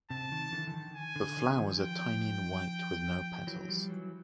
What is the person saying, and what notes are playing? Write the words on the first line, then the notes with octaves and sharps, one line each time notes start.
The flowers are tiny and white with no petals.
C3 A5
D#3
D3 E3
E3
D#3
G#5
D3
D#3
D#3 F3
G5
E3 F#3
F3 G3
E3 F#3